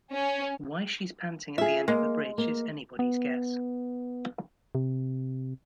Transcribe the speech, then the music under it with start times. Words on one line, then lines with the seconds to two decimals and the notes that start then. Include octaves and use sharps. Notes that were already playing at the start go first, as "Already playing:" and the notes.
Why she's panting at the end of the bridge is anybody's guess.
0.14 C#4
1.58 F4 G#4 E5
1.88 G#3 A#3
2.38 A#3
2.99 B3
4.75 C3